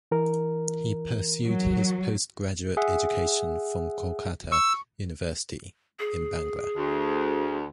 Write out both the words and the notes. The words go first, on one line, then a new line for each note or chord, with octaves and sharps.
He pursued his post graduate education from Kolkata University in Bangla.
E3 A#4
F#3
G#4 E5 F#5
C#6 E6
G#4
D2